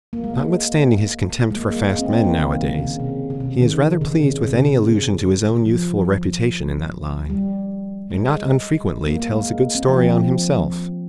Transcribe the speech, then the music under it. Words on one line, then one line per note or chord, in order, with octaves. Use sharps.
Notwithstanding his contempt for fast men nowadays, he is rather pleased with any allusion to his own youthful reputation in that line, and not unfrequently tells a good story on himself.
A#3
G#3
A#3
G#3
A#3
A#3
G#3
C4
A#3
A#3
D#3
C#3
C3
C#3
C3
D#3
C#3
C3
C3
C#3
C3
F3
G3
G#3
A#3
A#3
G#3
C4
F3
F3